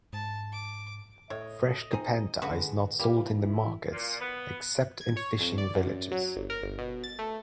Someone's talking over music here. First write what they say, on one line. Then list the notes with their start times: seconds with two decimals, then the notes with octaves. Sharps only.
Fresh kapenta is not sold in the markets, except in fishing villages.
0.13 G#2 A5
0.52 D6
1.30 A2 C#5 D#5
1.92 C4 D#4 G#4
2.42 D3 G#3 F#4 B4 C#6
2.99 E3 G3 A#3
3.36 E4
3.93 A#2
4.21 B3
5.01 G#6
5.17 C#5
5.40 F2
5.58 D5
5.75 F#2
6.12 F#3
6.36 G1
6.50 A#4
6.62 G1
6.79 B2
7.04 A6
7.19 A3